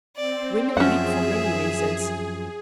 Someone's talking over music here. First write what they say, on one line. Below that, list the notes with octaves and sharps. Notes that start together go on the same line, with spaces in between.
Women weep for many reasons.
C4 D5
F#2 F3 C#4 G#4 E5 F#5